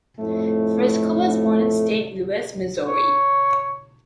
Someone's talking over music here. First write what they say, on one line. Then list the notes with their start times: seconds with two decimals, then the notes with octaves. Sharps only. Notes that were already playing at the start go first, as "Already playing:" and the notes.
Frisco was born in Saint Louis, Missouri.
0.19 F2 A2 A3
2.87 C#5